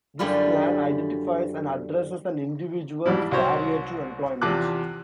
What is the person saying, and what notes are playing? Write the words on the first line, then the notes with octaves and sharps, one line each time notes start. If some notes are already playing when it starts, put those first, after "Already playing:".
This Plan identifies and addresses an individual's barriers to employment.
F#2 D3 G3 E4 F4
F2 G#2 G3 E4
C2 F#3 F#4 C5 C#5
E2 C3 F3 A5 D6 F#6